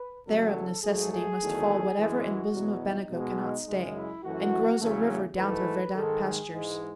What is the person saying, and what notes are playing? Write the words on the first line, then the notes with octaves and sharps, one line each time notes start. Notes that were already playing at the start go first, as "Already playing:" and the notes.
There of necessity must fall whatever In bosom of Benaco cannot stay, And grows a river down through verdant pastures.
Already playing: B4
E2 C#3 F#3 A3 A4
G#2 F#3 A3 G#4
G#4
E2 D#3 F#3 A3
F#2 E3 G#3
F#4
E2 B2 F#3
D#4
B2 G#3
F#2 C#3 G#3
E4
F#2 E3 A3 F#4
E2 C#3 F#3 A3
G#2 E3 A3 B4
G#2 D#3 G#3 A4
G#4
G#2 E3 G#3